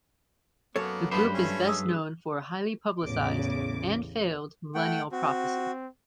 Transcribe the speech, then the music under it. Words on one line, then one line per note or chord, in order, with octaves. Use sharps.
The group is best known for a highly publicized, and failed, millennial prophecy.
F#2 A#3 B3 A4 C#5
G2 A3 B3 B4 C5 B5 D6
A3 C#4
G#4 D#6 E6
A1 E2 C#3 D6
A3 F#5 G5
C4 F#4